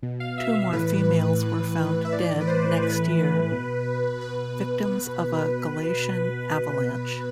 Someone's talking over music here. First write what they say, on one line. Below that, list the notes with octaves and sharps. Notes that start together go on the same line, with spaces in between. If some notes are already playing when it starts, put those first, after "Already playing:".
Two more females were found dead next year, victims of a Galician avalanche.
B2
F5
E5
A2 E3 B4
A2 E3
E5
A2 E3 D5
B4
C5
A2 E3 B4
B2
B2 B4
B2